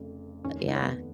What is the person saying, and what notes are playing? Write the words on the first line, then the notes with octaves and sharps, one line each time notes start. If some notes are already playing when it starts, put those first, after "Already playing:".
But, yeah.
Already playing: F1 F2 C#3
F1 D#2 D#3 C#4
D#4
C#4
B3